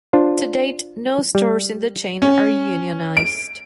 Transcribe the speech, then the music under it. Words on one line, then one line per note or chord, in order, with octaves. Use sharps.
To date, no stores in the chain are unionized.
D4 F4 C5
G3
C#4
D7